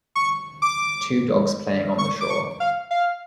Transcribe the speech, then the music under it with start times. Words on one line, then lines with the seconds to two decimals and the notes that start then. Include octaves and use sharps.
Two dogs playing on the shore.
0.16 C#6
0.62 D6
1.98 C#6
2.21 D6
2.30 C#6
2.60 F5
2.91 F5